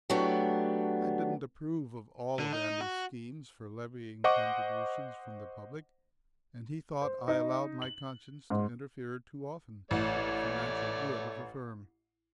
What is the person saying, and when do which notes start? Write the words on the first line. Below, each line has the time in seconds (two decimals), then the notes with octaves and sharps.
I didn't approve of all of Andy's schemes for levying contributions from the public, and he thought I allowed my conscience to interfere too often for the financial good of the firm.
0.10 F#3 A3 B3 D4 F#4 G4
2.39 D3
2.53 D#4
2.81 F#4
4.24 C5 D#5 F#5 C#6 D6
7.02 C5
7.28 D#4
7.82 F#7
8.50 G#2
9.91 A1 A3 C#5 D5